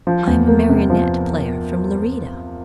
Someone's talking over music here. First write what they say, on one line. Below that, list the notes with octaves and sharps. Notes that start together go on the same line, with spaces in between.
I am a marionette player from Lerida.'
F3
E2
A#3
C3
F3